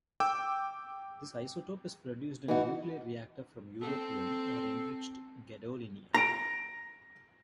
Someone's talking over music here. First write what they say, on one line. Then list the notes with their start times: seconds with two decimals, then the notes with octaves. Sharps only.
This isotope is produced in a nuclear reactor from europium or enriched gadolinium.
0.20 G5 D6 E6
2.48 E3 D#4 F#4
3.81 C4 A4
6.14 A#5 A#6 D7